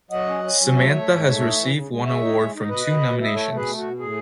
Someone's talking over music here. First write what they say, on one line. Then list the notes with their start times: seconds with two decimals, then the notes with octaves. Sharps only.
Samantha has received one award from two nominations.
0.11 F#3 D#5 F#5
0.27 C#4
0.44 C#4
0.60 F#3
0.76 A3 C#5 E5
0.93 A3
1.09 G#2
1.25 A3
1.40 D#4
1.56 E3
1.72 C#3
1.89 G#3
2.06 G#3 C#5 E5
2.21 D#4
2.37 G#3
2.54 D#4
2.69 B2 B4 D#5
2.86 B2
3.01 B2
3.19 E4
3.24 D#5
3.34 A3 A4 C#5
3.50 B2
3.56 G#4 B4
3.67 A3
3.77 F#4
3.83 B2
3.98 A2 G#4